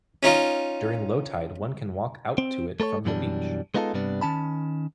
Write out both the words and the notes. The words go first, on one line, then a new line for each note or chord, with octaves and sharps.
During low tide, one can walk out to it from the beach.
C#4 D#4 F4
C4
A3 A4 A#4 C#5
F#2 B2 E3 G3 D4
G#3 B3 D#4 F4 F#4 A4
G2 C3 G3 B3 D4
D#3 C#4 A5 B5